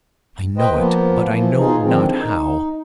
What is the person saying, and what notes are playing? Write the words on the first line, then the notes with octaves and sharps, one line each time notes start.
I know it, but I know not how.
B4 C5 D#5 G5
F3 A#3 B3
E3 F3
B2 D#4 F4 G#4
D3 D#3 F3 G#3 C4
D#4